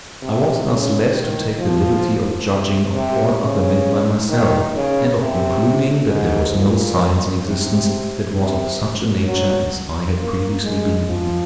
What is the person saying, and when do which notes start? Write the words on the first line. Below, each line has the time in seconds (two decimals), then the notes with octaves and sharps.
I was thus led to take the liberty of judging of all other men by myself, and of concluding that there was no science in existence that was of such a nature as I had previously been given to believe.
0.22 C3
0.67 C#3
1.12 D#3
1.58 F3
2.48 C3
2.93 C3
3.39 C#3
4.29 D#3
4.75 C#3
5.20 C3
6.10 G#2
6.56 A#2
7.46 C3
8.37 C3
9.27 F#3
10.18 A#3
10.64 G#3
11.08 F3